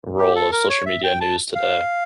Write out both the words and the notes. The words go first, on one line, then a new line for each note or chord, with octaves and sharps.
role of social media news today?
G4
A4
A#4
C#5
E5
G5
A5
F5